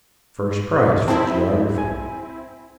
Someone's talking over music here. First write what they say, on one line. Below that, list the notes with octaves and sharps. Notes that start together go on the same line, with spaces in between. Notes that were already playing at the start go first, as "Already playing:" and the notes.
First Prize for Geography.
C4 E4 G#4 C5 A5
G#5